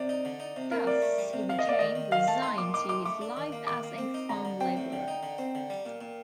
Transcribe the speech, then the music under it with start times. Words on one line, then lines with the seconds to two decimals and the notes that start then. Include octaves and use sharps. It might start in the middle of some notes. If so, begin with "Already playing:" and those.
Thus, he became resigned to his life as a farm laborer.
Already playing: C3 D5
0.09 D#4
0.25 D3
0.40 D#4
0.56 C3
0.71 A#3 A#4
0.87 A2 D5
1.02 A3
1.18 G3
1.33 C3
1.49 F3 F5
1.59 D#5
1.65 A#2 D5
1.79 D#3 D#5
1.95 D#3
2.12 D#3 F5
2.27 A3 A5
2.42 D#4 C6
2.58 A#2 D6
2.74 D#4 D6
2.89 D#4 D6
3.05 A3 D6
3.21 D4
3.37 D#3
3.52 A#3
3.67 D#3 D6
3.83 A#3
3.98 C4
4.14 D#4
4.29 D3 A#5
4.45 D3
4.60 C4 G5
4.77 A2
4.92 D3
5.08 D#4
5.23 D3
5.38 C4
5.55 D3
5.70 G3
5.86 A#2
6.01 A#2